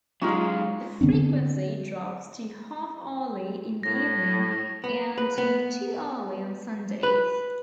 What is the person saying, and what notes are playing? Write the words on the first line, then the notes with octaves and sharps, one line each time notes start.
The frequency drops to half-hourly in the evening and to two-hourly on Sundays.
F#3 G#3 C#4 D#4 F4
D3 B3 C4 D4
A2 A#6
B3
B4
B3
B4